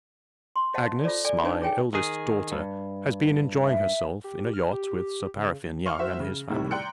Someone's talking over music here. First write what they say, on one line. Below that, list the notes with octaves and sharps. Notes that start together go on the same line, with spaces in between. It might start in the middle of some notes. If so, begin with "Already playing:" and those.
Agnes, my eldest daughter, has been enjoying herself in a yacht, with 'Sir Paraffine' Young and his family.
C6
C5 D#5 F5 F#5 A5
F4 A4 C5 D5
A4 D5 G#5
D4 D#4 B4 C5 G#5 A5
G#4 C#5 G5 G#5
D#3 G#4
G2
E5
G4
F6
G4
C#3
F5 C#6 F6
F#4 C5 E5
C#3
A2 C3 D#3 G3
D5 G5 A#5 C6 F#6 C#7